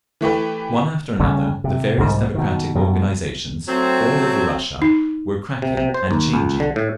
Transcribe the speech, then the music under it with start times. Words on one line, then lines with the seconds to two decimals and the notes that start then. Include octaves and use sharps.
One after another the various democratic organisations, all over Russia, were cracking and changing.
0.21 E3 A3 G4 B4
1.20 C#3 G3 A3 C#4
1.64 C3
1.98 C2 G#2 G3
2.34 B2 D#3
2.75 F#2 B2
3.67 F#3 A3 C4
4.82 D#4
5.62 C3
5.77 C3
5.94 C5
6.11 D#2
6.34 C#2
6.60 D3
6.76 A2